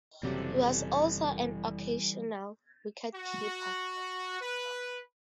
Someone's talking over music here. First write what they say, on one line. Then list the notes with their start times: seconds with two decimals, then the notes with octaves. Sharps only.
He was also an occasional wicketkeeper.
0.23 F#1 C3 E3 F#3 G3 G4 A4
3.15 F#4
4.41 B4